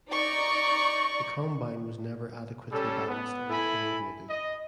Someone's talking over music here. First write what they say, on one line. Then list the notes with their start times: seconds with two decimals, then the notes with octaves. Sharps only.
The combine was never adequately balanced or co-ordinated.
0.12 D#4 D5 C#6
2.71 G3 C#4 A4
3.07 B3
3.50 E4 A4 G#5 B5
4.29 D#5